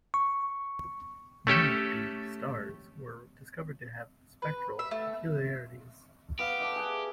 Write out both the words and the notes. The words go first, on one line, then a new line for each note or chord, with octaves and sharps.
Many Be stars were discovered to have spectral peculiarities.
C#6
A3 C#4 G4 A4
B4
E5
A3
B3 G4 F5
A4 D5 E5
G#4 F#5